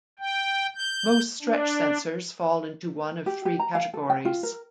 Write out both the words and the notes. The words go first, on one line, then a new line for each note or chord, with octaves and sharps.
Most stretch sensors fall into one of three categories.
G5
G6
D4
G4
G4
A#5
F5
A4
G5
F4
A#4